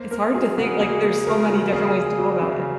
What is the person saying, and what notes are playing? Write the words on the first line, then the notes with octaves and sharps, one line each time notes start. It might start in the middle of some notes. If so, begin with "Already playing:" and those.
It's hard to think, like, there's so many different ways to go about it.
Already playing: A#3 C5
A#3 A#4
F#3 G#4
C#3 F#4
A#3 G#4
A#3
C#3 A#4
F#3
C#3 G#4
C#3
F#3
C#3